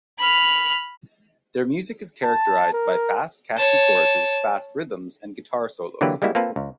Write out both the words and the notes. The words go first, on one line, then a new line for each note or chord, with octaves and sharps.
Their music is characterized by fast, catchy choruses, fast rhythms, and guitar solos.
B5 F6
A5
A#4
C#5 A5
D3 E3 F#3 A#3 G4 B4
G3 G#3 A#3 E4 F#4
A#3 C4 F4 A4 B4
C#2